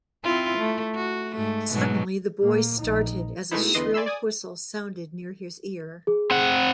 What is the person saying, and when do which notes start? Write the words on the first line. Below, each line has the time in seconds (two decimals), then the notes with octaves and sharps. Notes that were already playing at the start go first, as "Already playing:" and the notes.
Suddenly the boy started as a shrill whistle sounded near his ear.
0.24 C4 E4 F4
0.59 A3
0.95 F#4
1.35 G#2 A3
1.73 G#2 B2 F#3
2.40 A#2 A#3
2.79 A#1 D#4
3.51 B2 G#3 A3 B3 D#4 E4
3.74 E2 D3 E3 B4 D#5 C6
3.94 D5 G#5 B5 C6 E6
4.06 D5 G#5 D#6
6.07 G#4
6.31 C4 F#5